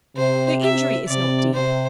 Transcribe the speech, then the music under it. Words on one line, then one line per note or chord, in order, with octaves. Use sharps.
The injury is not deep.
C3 C5
E5
C3 D5
C3 C5